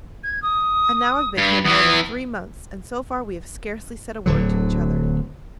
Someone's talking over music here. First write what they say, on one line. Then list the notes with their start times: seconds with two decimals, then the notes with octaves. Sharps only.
And now I've been here more than three months, and so far we have scarcely said a word to each other.
0.23 G#6
0.42 D#6
1.37 G2
1.65 E2 E3 D#6
4.26 D1 D3 F#3